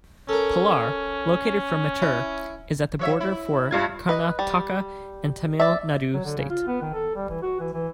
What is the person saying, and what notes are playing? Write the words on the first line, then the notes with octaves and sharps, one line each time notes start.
Palar, located from Mettur, is at the border for Karnataka and Tamil Nadu State.
C#4 A4 A#4
E4
F3 C#5 E5
E4
G2 F4 G#6
B4 D#5
G3
D5 E5
F#3
D3
C#3
F4
B3
D#3
A4
G3
E3
F#4
E3
E3